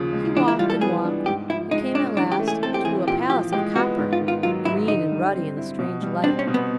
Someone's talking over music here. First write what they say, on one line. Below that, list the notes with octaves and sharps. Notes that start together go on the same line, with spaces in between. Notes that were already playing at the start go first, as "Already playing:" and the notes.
He walked and walked, and came at last to a palace of copper, green and ruddy in the strange light.
Already playing: D#2 C#3 F3
G#3
E3 D4
E4
G3 F4
A4
B3 G#4
D4
G#2 G4
F3 E4
G#3 D#4
C#4 D4
E3 D4
G4
A3
G#4
C4 A4
G4
E3 G#4
A#2 G4
F3 G4
G#3 G4
B3 F#4
G#2
F4
D#3
F4
F#3 F4
G#2 E4
D3 D#4
G3
C4
E4
B2
G3
C4 D4
C#4
B2
B3